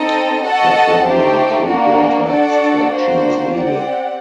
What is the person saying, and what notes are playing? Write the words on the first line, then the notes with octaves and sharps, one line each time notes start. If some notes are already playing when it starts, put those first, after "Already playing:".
Performing a cold water extraction is legal.
Already playing: C4 D#4 A4 D#5
F#4 A4 D#5 F#5 A5
A3 D#4 G4 C5
A#3 D4 F#4 A#4
D4 F#4 A4 D5 F#5
A#3 D4 F#4 C5
C4 G4 D5 F#5